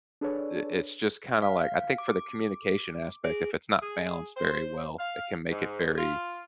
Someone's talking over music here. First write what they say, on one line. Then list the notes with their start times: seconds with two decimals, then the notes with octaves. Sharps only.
i it's just kinda like, I think for the communication aspect, if it's not balanced very well, it can make it very,
0.21 D4 G#4 A4 B4 C#5 D5
1.42 F5
1.98 D6
3.24 G#4
3.82 G#4
4.36 C5
4.99 F5
5.51 G#2
5.97 F4